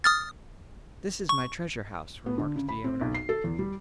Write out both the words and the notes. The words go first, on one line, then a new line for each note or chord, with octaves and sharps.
"This is my treasure house," remarked the owner.
D#6 F6 A6
C#6
B3
D3
C#3
B5
C4
B1
C7
A4
E2
G3